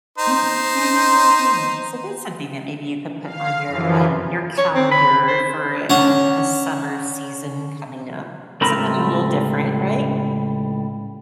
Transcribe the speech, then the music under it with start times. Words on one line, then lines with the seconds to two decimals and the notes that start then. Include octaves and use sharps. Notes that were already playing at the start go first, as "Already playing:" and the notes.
Yeah. Yeah, yeah, yeah, yeah. So that's something that maybe you could put on your, um, your calendar for, um, a summer season coming up. Something a little different. Right?
0.18 D#4 C5
3.23 F5
3.67 F#2 E3 F3
4.58 C#5
4.75 C4
4.91 B5
5.27 C5
5.90 C#4 D4 C#5 F#5
8.61 C#2 A2 G3 C4 A#4 B5